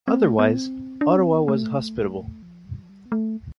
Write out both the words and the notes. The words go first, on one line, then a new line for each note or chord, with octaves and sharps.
Otherwise, Ottawa was hospitable.
C4
A3
B3
C4
D4
C4
B3
A3
F3
G3
F3
G3
B3
A3